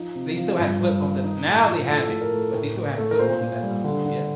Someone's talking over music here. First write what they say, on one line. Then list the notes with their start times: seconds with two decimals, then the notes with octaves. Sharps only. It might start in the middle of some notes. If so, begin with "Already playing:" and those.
they still had flip phones at the now, they have it, but they still had flip phones at that time, so yeah.
Already playing: F3 D#4
0.15 C3
0.37 F3
0.59 G2
0.81 G2
1.02 D#3
1.24 D#4
1.45 A2
1.67 F3
1.89 A2 A4
2.10 A2
2.21 A#4
2.33 A3
2.54 A2
2.75 A2
2.98 A3
3.11 A#4
3.19 A#2 C5
3.41 A#2
3.62 G3
3.84 D3
4.06 D3